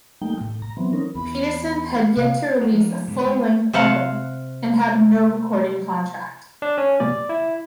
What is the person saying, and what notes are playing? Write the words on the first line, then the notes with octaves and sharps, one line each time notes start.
Peterson had yet to release a full-length album, and had no recording contract.
G3 A3 A#3 D#4 G5
A2
A#5
E3 F#3 B3 C4
C4 C#4 D#4 A#4
E2 B5
C3 A#3 C4 F5
F4 A#4 F#5
F3 G3 D#4
G#2 D3 G#3 B3
G#3 F4 G4
C3 C5 F5 F#5
D4
C#4
D5
E4